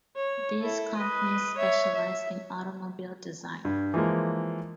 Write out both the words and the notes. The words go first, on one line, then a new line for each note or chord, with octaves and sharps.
These companies specialize in automobile design.
C#5
E4 A4
B4 D#5
C#5 E5
E5
G2
E3 F3 G#3 A#3